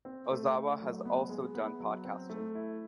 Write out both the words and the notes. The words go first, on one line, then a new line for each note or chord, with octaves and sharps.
Ozawa has also done podcasting.
C4
A3
A3
F#3
B3
G#3
B3
F#3
C4
A3
E4